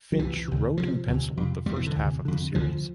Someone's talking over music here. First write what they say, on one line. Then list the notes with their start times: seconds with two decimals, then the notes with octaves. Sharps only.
Finch wrote and penciled the first half of the series.
0.12 F3
0.19 C2 C3 E3
0.48 D2 C3
0.77 D2 F3
0.83 C3
1.08 D2 C3
1.37 F2 C3
1.66 F2 G3
1.71 C3 E3
1.87 D3
1.96 D2 C3
2.25 F2 D3
2.55 D2 D3 F3